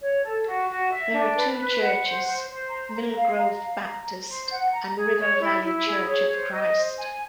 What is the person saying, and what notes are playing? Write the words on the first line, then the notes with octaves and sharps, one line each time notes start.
There are two churches, Millgrove Baptist and River Valley Church of Christ.
C#5
A4
F#4
F#4
E5
D4
B4
B4
F#5
C5
C5
C5
A#5
A#5
F5
A#5
F5
A#5
A#5
C5
F#5
A#5
G#4
C#5
E4
E4
G#4
C#5
C5
D#5
C5
G#5